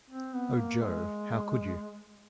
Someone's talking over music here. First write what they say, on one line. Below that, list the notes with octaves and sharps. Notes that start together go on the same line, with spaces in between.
O Jo, how could you?
C4
B3
A#3
G#3